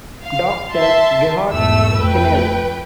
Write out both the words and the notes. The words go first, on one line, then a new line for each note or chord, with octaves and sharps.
Doctor Gerhard Kienle.
F5
E5 A5 C6
B1 E2 G#2 A3 E6
F2 A3 B4 G5